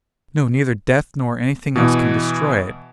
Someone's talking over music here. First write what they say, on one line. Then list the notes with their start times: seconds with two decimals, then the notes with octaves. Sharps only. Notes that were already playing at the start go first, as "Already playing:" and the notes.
No, neither death nor anything else can destroy it.
1.75 B2 E3